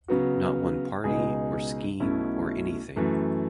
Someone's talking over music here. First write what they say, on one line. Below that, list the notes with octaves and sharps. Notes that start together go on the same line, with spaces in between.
Not one party, or scheme, or anything.
C#3 F#3 B3 F#4
C#2 B2 G#3 D#4 G#4
B1 B2 A3 C#4 E4
F#2 E3 A3